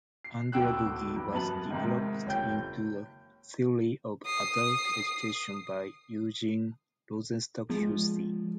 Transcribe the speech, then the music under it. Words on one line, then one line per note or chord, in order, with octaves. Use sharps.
Andragogy was developed into a theory of adult education by Eugen Rosenstock-Huessy.
C7
D1 D2 B2 G5 E6 F#6
G2
F#2 B3 B4 A5 F#7
G#2 C3 D#3
F#1 C#5 G5 G6
D#6 C7
F3 G#3